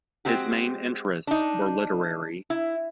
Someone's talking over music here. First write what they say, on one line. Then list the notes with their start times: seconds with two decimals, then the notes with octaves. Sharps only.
His main interests were literary.
0.25 G#3 C4 F#4 G4
1.27 D4 D#4
2.50 E4